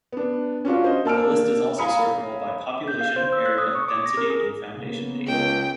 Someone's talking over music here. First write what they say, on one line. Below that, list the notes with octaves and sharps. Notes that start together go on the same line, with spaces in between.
The list is also sortable by population, area, density and foundation date.
B3 D4
C#4 D4 F4 F#4
C5 D#5
A#3 D4 A5 E6 F6 D7
F5 G#5 A#5 B5 D#6 C#7
G6
F5
C5
E6
F#6
D#6
C#6
D6
A#6
A#4
G#4
C#3 A#3 B3
C#2 G5